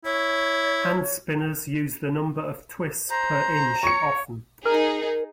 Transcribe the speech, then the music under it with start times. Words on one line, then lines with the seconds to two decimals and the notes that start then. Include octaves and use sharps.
Handspinners use the number of twists per inch often.
0.05 E4 C#5
3.10 C5 A#5
3.83 C#5 C#6 C#7
4.65 D#4 G#4 A#4